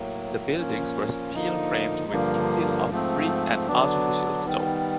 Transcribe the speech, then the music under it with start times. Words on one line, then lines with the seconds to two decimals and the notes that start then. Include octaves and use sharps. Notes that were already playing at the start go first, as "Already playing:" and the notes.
The buildings were steel framed with infill of brick and artificial stone.
Already playing: A2 F#3 A#3
0.57 A#2 F3 A#3 C#4
1.35 D3 F3 A#3 D#4
2.12 G2 D3 F3 A#3
2.90 G#2 F3 A3 C4
3.68 D3 F#3 B3 D4
4.45 D#3 G3 B3